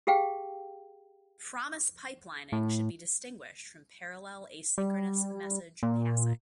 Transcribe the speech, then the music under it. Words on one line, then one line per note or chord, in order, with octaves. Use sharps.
Promise pipelining should be distinguished from parallel asynchronous message passing.
G4 G#4 F5 G5
A2
G3
A#2